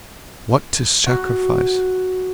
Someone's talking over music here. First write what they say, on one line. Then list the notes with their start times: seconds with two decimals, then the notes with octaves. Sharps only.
What to sacrifice!
1.07 F#4